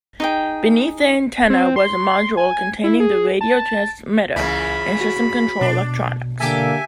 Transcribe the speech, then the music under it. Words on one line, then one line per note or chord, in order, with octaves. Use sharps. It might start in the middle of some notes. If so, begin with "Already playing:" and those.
Beneath the antenna was a module containing the radio transmitter and system control electronics.
D#4 G#4 G5
C4
C6
G#5
E4
G#4
A5
C#2 A#2 C#3 E3 B5
F#4
B2 D4
D3 A#3 G4 A4 E5 G#5